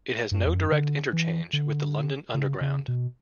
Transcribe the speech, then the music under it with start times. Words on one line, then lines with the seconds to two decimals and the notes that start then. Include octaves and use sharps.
It has no direct interchange with the London Underground.
0.31 G2
0.39 F#2
0.46 E2
0.53 F#2
0.72 D3
1.13 E3
1.53 D3
2.34 C#3
2.61 C#3
2.88 B2